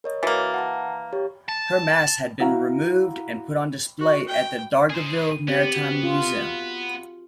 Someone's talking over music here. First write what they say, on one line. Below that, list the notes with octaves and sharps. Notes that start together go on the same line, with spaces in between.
Her masts had been removed and put on display at the Dargaville Maritime Museum.
A#4 C#5 D#5
E3 A#3 F#4 A6
F#5 A5 A#5
G4 C#5
A5
E4 F#4 F5 A#5
F#4
G5
G#4 C5
B3 C4 G4
F#4
F4